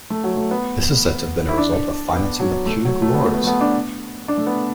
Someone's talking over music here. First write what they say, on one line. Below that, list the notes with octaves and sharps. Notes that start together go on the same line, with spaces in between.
This is said to have been a result of financing the Punic Wars.
A3
F#3
A3
B3
E4
D4
B3
F#3
A3
F#3
A3
B3
A3
B3
A3
B3
D4
D4
A3
B3